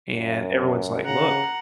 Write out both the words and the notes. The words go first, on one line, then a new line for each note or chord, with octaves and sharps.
and everyone's like, "Look,
F#2
C#3 F#5 A#5